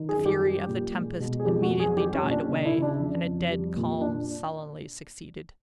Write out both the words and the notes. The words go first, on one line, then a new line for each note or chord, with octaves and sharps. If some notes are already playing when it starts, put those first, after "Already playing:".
The fury of the tempest immediately died away, and a dead calm sullenly succeeded.
Already playing: D#3
G#4
F#2
G4
G3
A#2
G#3
B2
G#4
F2 G4
F#4
F#3
G#4
G3 G4
C#4
A#2
D4
C#3 D4
E4
C#3
D4
F2
F2
G3
A#2
D4